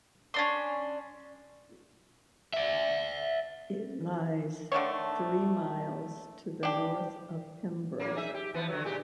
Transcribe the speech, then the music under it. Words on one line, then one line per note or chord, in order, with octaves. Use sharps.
It lies three miles to the north of Pembroke.
C#4 D4 C6
D5 E5
D3 D#3 A3 C#5
D4 G4
F#3 A#3
D#4 G#4 E5
G4
E3 F3 B3
D3 D#3 F#3
A#2 G#3 G4